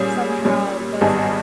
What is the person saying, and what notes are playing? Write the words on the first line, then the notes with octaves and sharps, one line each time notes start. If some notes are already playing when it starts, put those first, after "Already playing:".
somehow doesn't
Already playing: A#2 G3 C#4 G#4
A#2 G3 C#4
G#1 G2 G3 B3 D#4 G#4